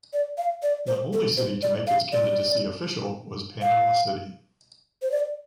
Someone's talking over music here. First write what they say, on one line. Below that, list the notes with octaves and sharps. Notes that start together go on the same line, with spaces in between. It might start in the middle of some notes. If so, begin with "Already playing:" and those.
The only city to make its candidacy official was Panama City.
D5
F5
D5
C5
A4
C5
D5
F5
D5
F5
C5
D5